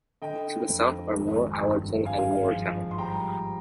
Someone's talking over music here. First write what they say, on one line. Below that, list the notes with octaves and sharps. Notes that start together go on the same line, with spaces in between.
To the south are Moor Allerton and Moortown.
D3 D#5 G5
F2
G#1
G2
G#2 F5 G#5
F3
C6
G3 G5 A#5